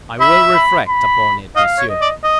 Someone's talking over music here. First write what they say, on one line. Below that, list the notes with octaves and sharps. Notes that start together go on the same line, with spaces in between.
"I will reflect upon it, monsieur."
E5 B5
B5
B5
D#5 F5
C#5
D#5
D5
D#5